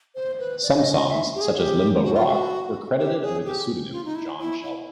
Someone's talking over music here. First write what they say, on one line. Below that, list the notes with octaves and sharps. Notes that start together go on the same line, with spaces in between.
Some songs such as "Limbo Rock" were credited under the pseudonym of Jon Sheldon.
C5
B4
D5
D#5
D#5
E5
G4
G#4
G4
F#4
F4
F#4
G4
G#4
G4
F4
D#4
E4
E4
E4